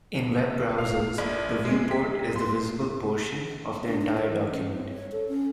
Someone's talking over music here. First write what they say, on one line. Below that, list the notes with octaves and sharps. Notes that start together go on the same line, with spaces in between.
In web browsers, the viewport is the visible portion of the entire document.
F5
A#1
G#3
B6
C6
D4
D#4
A#4
E3
C#4
C4
C#5
A4
C#4